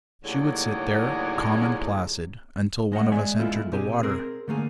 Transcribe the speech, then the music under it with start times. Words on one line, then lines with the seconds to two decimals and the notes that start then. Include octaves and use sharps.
She would sit there, calm and placid, until one of us entered the water.
0.24 D#2 A2 D3 F#3 G#4 C#5
2.92 G#3 D#5 F5 F#5
3.12 G#3 B3 D5 E5 G#5
3.39 G#3 B3 E4 F4 A4
3.72 B2 C4 G4 G#4
4.03 C4 G#4 A#4
4.48 D3 A3 A#3 G#4